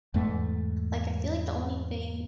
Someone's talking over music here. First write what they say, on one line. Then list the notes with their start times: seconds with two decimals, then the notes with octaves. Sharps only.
Like I feel like the only thing
0.14 E2 G#2 A3